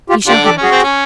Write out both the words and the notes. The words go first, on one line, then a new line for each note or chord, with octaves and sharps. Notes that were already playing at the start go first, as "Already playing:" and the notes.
"You shall have it."
F4 G4
D3 D4 F4 G4
D4 G4 A4
C#4 F#4 G#4
C4
C#4